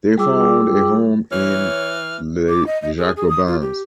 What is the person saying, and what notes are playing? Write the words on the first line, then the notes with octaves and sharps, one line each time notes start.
They found a home in "Les Jacobins".
G3 F4 G#4 G5 D6 E6
E3 C#5 F6
D6
D#5
D#5
G#4
G#4
D#6
F4
G4